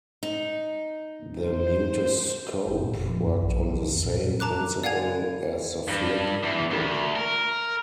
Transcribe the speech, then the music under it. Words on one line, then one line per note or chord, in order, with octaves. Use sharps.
The Mutoscope worked on the same principle as the flip book.
D#4
C5
F#1
A#2
F1
F3
F#2
A#1
F#3
C2
F2
A#2
A5 A#5 D6 F#6
D5 F5 F#5 G#5 G#6 F7
G2
E2
D2
A#4